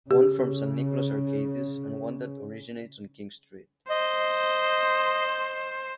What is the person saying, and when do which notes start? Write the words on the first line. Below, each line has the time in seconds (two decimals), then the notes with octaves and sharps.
One from St Nicholas Arcades and one that originates on King Street.
0.11 C#3 G4
3.90 C5 D#5